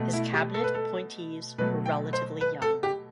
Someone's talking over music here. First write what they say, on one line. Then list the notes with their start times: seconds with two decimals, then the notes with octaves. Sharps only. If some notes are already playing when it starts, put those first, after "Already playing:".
His cabinet appointees were relatively young.
Already playing: B2 A3
0.13 E4
0.33 G4
0.54 A4
0.64 B4
0.75 A4
1.58 B2 F#3 A3 B4
1.86 G5
2.13 C5
2.41 B4
2.62 A4
2.83 G4